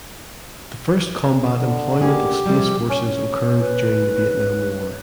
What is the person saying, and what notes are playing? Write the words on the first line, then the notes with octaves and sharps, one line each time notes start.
The first combat employment of space forces occurred during the Vietnam War.
D3
A#3 C#4 G4 G#4
C3 F3 G3
C#4
B4